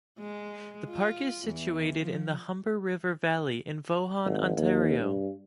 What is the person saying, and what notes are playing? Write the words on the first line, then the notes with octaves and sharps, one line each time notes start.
The park is situated in the Humber River valley, in Vaughan, Ontario.
G#3
F4
E2
F3
G#1
D#2
G2